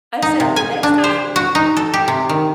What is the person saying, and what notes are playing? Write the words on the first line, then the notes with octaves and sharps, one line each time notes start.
I said, "The next time
D#4
C3
G#5
D4
C5
F#4
D#4
A4
G4
C3
D#3